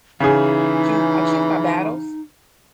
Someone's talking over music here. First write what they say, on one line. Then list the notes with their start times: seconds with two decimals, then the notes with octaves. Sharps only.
choo I choose my battles.
0.20 C#3 E3 D#4 G#4